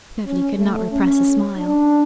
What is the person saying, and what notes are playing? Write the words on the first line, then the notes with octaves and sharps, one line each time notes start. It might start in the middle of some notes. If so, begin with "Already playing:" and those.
Beverly could not repress a smile.
C#4
A3
C#4
D4